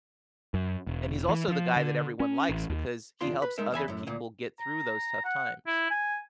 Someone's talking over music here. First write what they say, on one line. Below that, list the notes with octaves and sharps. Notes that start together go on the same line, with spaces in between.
And he's also the guy that everyone likes, because he helps other people get through those tough times.
F#2
E1
E3
F3
D3
C#4
A1
D#2
E2 D4 F4 C6
B4
G#3 D#4 A#4 E5
E2 E5 G#5 B5
F#2 A2
D2 A#2
A#5
F#5
E4
G#5